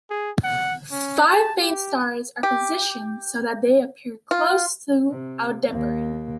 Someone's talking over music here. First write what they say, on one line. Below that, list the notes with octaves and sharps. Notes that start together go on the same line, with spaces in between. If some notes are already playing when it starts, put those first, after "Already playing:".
Five faint stars are positioned so that they appear close to Aldebaran.
G#4
F#5
C#4
A5
G4
G4
F4
C3
D#2 A#3